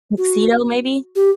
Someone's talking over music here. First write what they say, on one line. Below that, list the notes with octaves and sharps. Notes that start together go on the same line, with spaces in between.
Tuxedo, maybe?
F#4
G4